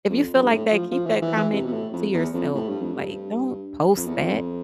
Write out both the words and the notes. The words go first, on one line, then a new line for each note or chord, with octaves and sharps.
if you feel like that, keep that comment to yourself. Like, don't post that.
F2
F2
G2
A2
F3
F3
E3
E3
E3
C3
B2
A2
F2
E2
F2
A2
G2
F2
G2
F2
E2
F2